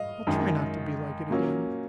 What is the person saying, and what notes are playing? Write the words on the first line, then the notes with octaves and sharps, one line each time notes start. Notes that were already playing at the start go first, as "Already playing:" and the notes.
I'll try not to be like it again.
Already playing: D#5 F5
F#2 D#3 G#3
A#2 F#3 A#3 C#4